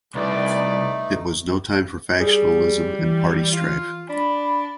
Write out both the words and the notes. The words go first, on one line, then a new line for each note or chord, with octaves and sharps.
It was no time for factionalism and party strife.
C2 A3 D#4 B4 D5
G3 G#4
E3
F4
D4 B5